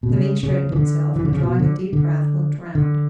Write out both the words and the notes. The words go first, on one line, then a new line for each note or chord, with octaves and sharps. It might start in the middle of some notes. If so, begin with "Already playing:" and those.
Levin straightened himself, and drawing a deep breath looked round.
B2
C#3
C#3
E3
D3
E3
D3
C#3
B2
D3
D3
D3